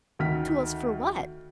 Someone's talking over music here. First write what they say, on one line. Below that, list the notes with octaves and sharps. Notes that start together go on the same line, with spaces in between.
"Tools for what?"
D2 D#3 F6 B6